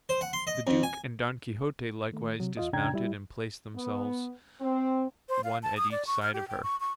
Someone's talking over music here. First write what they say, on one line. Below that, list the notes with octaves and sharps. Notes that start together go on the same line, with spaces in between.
The duke and Don Quixote likewise dismounted and placed themselves one at each side of her.
C5
F#5
C6
D#5
F2
G#5
D#3 A3
C3 F#3
E2 F4 D#5
F2 C#3 D4 G5 A#5 G#6
G3 E4
B3
C4
C5
F5
A5
D#6
D5
C#6
F6
G4
G5
C#6
C#6